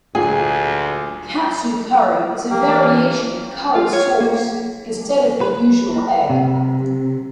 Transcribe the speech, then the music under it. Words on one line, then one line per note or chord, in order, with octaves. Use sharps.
Katsu curry is a variation with curry sauce instead of the usual egg.
D2 A#2 G#4 G#5
E3 A#3 C#4 G4
F4
C#5
A#3
B4
C3